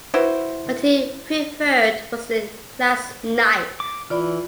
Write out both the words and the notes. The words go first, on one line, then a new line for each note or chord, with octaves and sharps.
What he preferred was a clasp-knife.
E4 F#4 B4 C5
D6
E3 F4 D5 B5